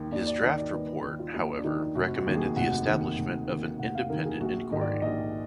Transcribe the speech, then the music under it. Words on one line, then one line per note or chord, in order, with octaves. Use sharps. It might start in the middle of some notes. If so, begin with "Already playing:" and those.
His draft report however recommended the establishment of an independent inquiry.
Already playing: D#2 D#3
D#2 D5
D5
D#3 D#5
D5
D#2 B4
B4
D#3
F4
D#2 D#4
D4
D#3 D#4
F1 F#4
F#4
D#2 D#3
G#4
F1 F#5
D#2 D#3
F1
D#2 D#3
F1 F#5
F5
D#2 D#3 A#4
G#4
A#1 F#4
G#2 D#3 D#5
D5
A#1 D#5